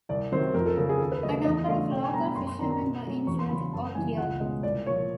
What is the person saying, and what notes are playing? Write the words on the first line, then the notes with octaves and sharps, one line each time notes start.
A number of local fisherman were injured or killed.
C2 D5
C3 D#3 F#3 C5
F2 A#4
A4
C#3 F#3 A4
G#4
D#2 A4
B4
C#3 F#3 A3 D#5
D#5
E2 D#5
C#3 F#3 A3 D4 F5
B2 G5
G#5
G3 B3 D4 A#5
B5
F#2 C6
C6
D#3 F#3 B3 D4 A#5
A#5
B2
F#3 A3 C#4
E2 C#6
C6
C#3 F#3 B5
F#2 A5
C#3 E3 G3 G#5
C#2 F#5
B2 G#3 C#4 D#5
C2 D5
A#2 F3 C#5